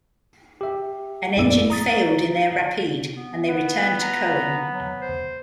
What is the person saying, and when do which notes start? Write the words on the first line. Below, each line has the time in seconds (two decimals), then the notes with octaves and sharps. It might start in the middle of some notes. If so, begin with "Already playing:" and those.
An engine failed in their Rapide and they returned to Coen.
0.61 G4 E5
1.37 A#1 F#2 E4 G#4 D5 E6
1.70 A#5 D#6 A6
3.16 B3
3.48 B3 F#5
4.02 A#5
4.69 F#3
5.00 C5